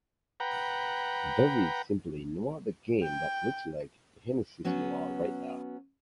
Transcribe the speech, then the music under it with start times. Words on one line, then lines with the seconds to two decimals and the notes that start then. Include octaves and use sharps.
There is simply no other game that looks like Genesis Noir right now.
0.40 B4 F#5 G5 A#5
3.02 G5
4.64 F#3 B3 C#4 F#4